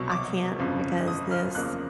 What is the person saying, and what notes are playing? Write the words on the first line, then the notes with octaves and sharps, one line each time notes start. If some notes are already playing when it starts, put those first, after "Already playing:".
"I can't because 'this'"?
Already playing: C2 B2 F#3 C#6
D6
G1 F2 C#3 F3
D#6
F6
F#1 E2 C#3 F3 A#3 F#6